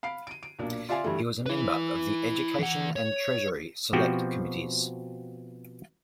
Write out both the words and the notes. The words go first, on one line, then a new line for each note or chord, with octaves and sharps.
He was a Member of the Education and Treasury Select Committees.
F5 B5 C7 D7
D7 D#7
D7
B1 A#2 D4
F4 D5 E5 F5 G#5 C6
G2 E3 G3 A3
E4 B4
E3 F#5
C#5
B2 F3 C4 F#4 G4 G5